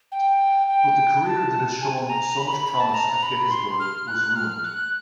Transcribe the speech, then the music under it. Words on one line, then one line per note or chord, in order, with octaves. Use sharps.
But the career that had shown so much promise at Gettysburg was ruined.
G5
G5
A5
G#5
A#5
B5
B5
B5
A5
A#5
B5
C6
F6
F#6
F6
F#6